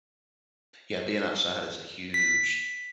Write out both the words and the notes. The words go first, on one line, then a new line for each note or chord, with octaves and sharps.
Yeah, being outside is a huge
B6